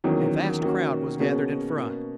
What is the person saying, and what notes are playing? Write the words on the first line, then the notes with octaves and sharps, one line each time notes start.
A vast crowd was gathered in front.
E2 D#3 F#3 A#3 C#4
D#3 A#3 C#4 F#4
B2 A#3 C#4 G#4
B2 A#3 C#4